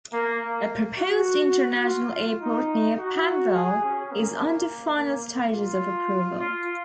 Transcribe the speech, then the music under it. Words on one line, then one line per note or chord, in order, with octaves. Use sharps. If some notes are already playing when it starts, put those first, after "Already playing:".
A proposed international airport near Panvel is under final stages of approval.
A#3
F#4
F#4
F4
D#4
F#4
G#4
C#4
A#3
A#3
A#3
F4
F4